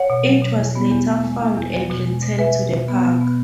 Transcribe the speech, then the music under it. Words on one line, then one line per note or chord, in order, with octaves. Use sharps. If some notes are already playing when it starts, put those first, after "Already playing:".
It was later found and returned to the park.
Already playing: C#5 F#5
B2
F#3
B2
E2
B3
E2
E2
G#3
E2
E2
E2
B2
G#3
B2
G#3 B4 E5
B2
B2
B3
B2
B3